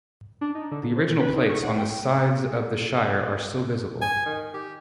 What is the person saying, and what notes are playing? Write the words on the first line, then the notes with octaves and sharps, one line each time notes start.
The original plates on the sides of the shire are still visible.
D4
D#4
D3
A#2
C5
B4
D#4
C#6
F#5
G5
G#5
D#3
G4